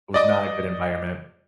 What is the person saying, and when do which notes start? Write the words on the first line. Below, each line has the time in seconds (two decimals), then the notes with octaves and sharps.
It was not a good environment.
0.14 D5 D#5 D6